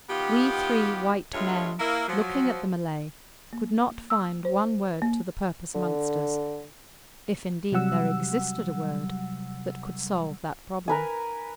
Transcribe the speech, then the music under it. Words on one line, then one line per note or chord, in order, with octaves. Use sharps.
We three white men, looking at the Malay, could not find one word to the purpose amongst us--if indeed there existed a word that could solve that problem.
D#3 B3 F4 G4
D2 G2 G#3 A3 F4 C#5
A#3 E4
F3 F#3
A#3
E6
C5
A#3
D3
C3 F#3 G3 F#5 E6
A#4 B4 G#5